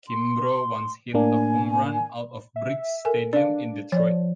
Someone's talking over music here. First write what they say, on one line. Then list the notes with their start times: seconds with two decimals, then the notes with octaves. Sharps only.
Kimbro once hit a home run out of Briggs Stadium in Detroit.
0.08 C6
1.14 A2 A#3 D4 G#5
2.56 E5
3.05 A4 A#4 G#5
3.33 D4 D5 F5
3.92 F3 C#5 D5